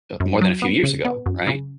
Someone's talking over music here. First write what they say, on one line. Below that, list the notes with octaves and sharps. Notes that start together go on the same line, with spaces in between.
more than a few years ago, right,
F#2
F#3
B3
C#3
B3
F#2
C#3